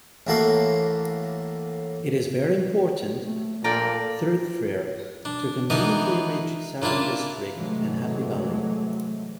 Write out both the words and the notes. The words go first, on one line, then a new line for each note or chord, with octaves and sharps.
It is a very important thoroughfare to conveniently reach Southern District and Happy Valley.
A1 A2 A#3 F#4 A4 C6
A3
A#2 A4 A#4 D5 G5
D4
E3 B3 D4 D#4 A#4
A#2 D4 E4 F4 A5
A2 C3 E3 F#3 G#3 A3